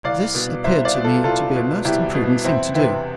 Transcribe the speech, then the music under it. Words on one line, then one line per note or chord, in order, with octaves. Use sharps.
This appeared to me to be a most imprudent thing to do.
C2 D5 F5
B2
C2 C5 E5
E5
D5 F5
B2
F4 A4
C2 F4 A4
B2
C2 E4 G4
B2
E2 C4 E4
C3 E3 C4 E4